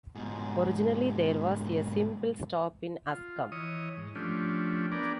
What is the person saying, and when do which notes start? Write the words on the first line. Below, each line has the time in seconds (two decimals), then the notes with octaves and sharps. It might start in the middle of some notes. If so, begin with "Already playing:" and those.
Originally, there was a simple stop in Askam.
0.15 G#2 B2
3.10 F4
3.52 E3 C#5 D#5 D#6
3.97 G#2
4.15 F3 A3 C#4 D4 G4
4.92 B3 D4 A#4 D5 G5 G#5